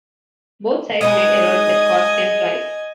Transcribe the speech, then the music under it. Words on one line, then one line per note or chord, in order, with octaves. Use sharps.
Both sides made errors that cost them tries.
G#3 D#4 B4 D#5 G#5 D#6